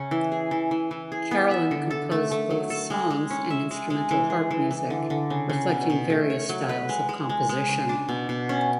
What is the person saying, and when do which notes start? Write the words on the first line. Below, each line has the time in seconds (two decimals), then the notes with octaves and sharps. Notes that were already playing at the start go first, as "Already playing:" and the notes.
Carolan composed both songs and instrumental harp music, reflecting various styles of composition.
Already playing: C#3 C#4 E5
0.11 E3
0.32 G#4
0.51 E3
0.71 E3
0.91 E3
1.12 G#4
1.31 B3
1.51 E5
1.71 D3
1.91 A4
2.11 A3
2.31 A3
2.51 F#3
2.70 A4
2.90 G#3
3.10 G#3
3.31 C#4
3.50 E5
3.71 G#3
3.90 G#3
4.11 E3
4.30 G#4
4.51 E3
4.71 E3
4.90 D3
5.10 D3
5.30 C#3
5.50 C#3
5.69 B2
5.90 B2
6.10 A3
6.30 C#5
6.49 F#3
6.69 B4
6.89 G#3
7.09 G#3
7.29 G#3
7.49 G#3
7.69 C#3
7.89 D4
8.09 B2
8.29 B2
8.49 C#4